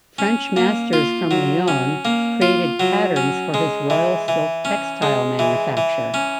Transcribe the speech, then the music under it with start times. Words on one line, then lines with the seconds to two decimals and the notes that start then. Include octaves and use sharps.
French masters from Lion created patterns for his royal silk textile manufacture.
0.18 C#4
0.57 A#3
0.93 F4
1.31 F#3
1.68 C#4
2.05 A#3
2.42 F4
2.80 F#3
3.16 C#4
3.54 G#3
3.90 E3
4.28 E3
4.65 C#4
5.02 G#3
5.39 E3
5.77 E3
6.14 C#4